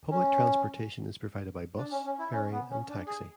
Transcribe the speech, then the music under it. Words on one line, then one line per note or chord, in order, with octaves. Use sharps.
Public transportation is provided by bus, ferry and taxi.
C#4
D4
C#4
C#4
E4
C#4
B3
C#4
D4
G#4